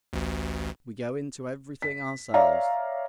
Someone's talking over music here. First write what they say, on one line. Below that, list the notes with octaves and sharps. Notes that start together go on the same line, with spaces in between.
We go into everything ourselves.
A1 D2
B6
C#5 D5 E5 F5 A#5